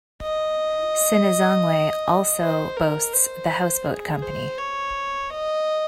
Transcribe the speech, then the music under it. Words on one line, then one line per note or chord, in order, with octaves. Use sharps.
Sinazongwe also boasts The Houseboat Company.
D#5
C5
A#4
C5
G#4
C5
C#5
D#5